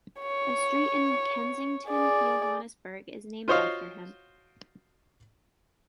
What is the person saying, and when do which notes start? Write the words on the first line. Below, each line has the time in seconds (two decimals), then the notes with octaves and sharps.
A street in Kensington, Johannesburg is named after him.
0.21 C#5
1.88 G#4 D5
3.48 F4 F#4 C5 C#5 D#5 F5